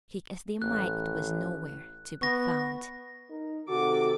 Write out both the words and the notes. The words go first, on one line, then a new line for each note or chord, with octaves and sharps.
Seek as they might, it was nowhere to be found.
A1 F#6
B3 C#6 A#6
D#4 A#4
C3 D#3 F#4 A4 D6